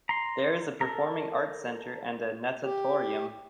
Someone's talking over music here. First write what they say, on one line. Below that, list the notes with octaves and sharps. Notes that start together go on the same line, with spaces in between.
There is a Performing Arts Center and a Natatorium.
A#5 C6
A4 A#4 A#5
G4